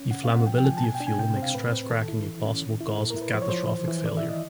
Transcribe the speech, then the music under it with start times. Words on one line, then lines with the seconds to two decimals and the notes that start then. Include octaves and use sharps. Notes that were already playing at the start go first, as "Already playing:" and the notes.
The flammability of fuel makes stress cracking a possible cause of catastrophic failure.
Already playing: C#4
0.11 C#3 F#5
0.24 F5
0.29 C4
0.36 F#5
0.47 F3 G5
0.58 G5
0.65 F3 G#5
0.77 A5
0.84 B2 G#5
0.95 G5
1.00 D4
1.07 G#5
1.18 C3 G5
1.36 C4
1.42 F5
1.55 A2 B4
1.73 C4
1.90 D#3 A4
2.08 E4
2.26 E3
2.44 C#4
2.62 D#3
2.81 E4
2.98 A#2 A4
3.10 A#4
3.16 E4
3.22 B4
3.34 F3 C5
3.42 C#5
3.49 F3 C5
3.70 E3
3.88 E3
4.06 D#3 D5
4.17 E5
4.23 E4
4.29 D#5